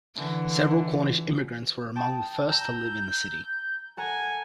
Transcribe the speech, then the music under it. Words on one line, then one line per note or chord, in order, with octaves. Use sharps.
Several Cornish immigrants were among the first to live in the city.
D3 E3
G5 A5 D#6
A#5 E6 G6
A4 F#5 G#5 A#5